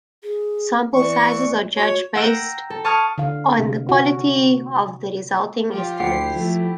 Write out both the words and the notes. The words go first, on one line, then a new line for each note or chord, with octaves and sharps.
Sample sizes are judged based on the quality of the resulting estimates.
G#4
E3 D5 C#6
F#4 C#5
F#5 G5 A#5 E6 A#6 D7
A4
A5 C#6 D#6 F6 G#6
D3 F5
C3
F#4
F3 F4 G4
D2 E4 G4 F#5 G5 C7
F3 A3